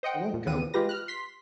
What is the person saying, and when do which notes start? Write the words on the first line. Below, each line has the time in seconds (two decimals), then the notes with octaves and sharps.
I won't go!
0.03 C5 D#5 F#5 G5
0.34 A#2
0.46 D#2 E3 B3 C4 D#7
0.74 G#3 F4 G4 B4 A#6
0.89 F6 F#6
1.08 C6 B6